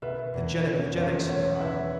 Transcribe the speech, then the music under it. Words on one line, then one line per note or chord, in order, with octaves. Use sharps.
"The Jeddak of Jeddaks!" he cried.
B2 B4 E5
E2
C#4
E2
B1 C#5 F#5
F#5
E4 B4 E5